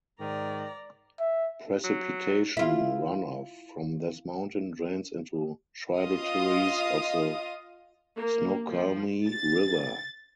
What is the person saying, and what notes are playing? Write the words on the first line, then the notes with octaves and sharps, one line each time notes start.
Precipitation runoff from this mountain drains into tributaries of the Snoqualmie River.
G#2 D#3 D5 A#5
E5
F#3
E4 F4
F4 D#5 F5 D#6
A#3
F3
A6